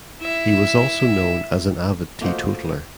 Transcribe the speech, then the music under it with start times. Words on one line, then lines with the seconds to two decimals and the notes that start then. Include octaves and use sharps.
He was also known as an avid teetotaler.
0.20 E4 E5
2.21 A3 A#3 F4 F#4 C5 D#5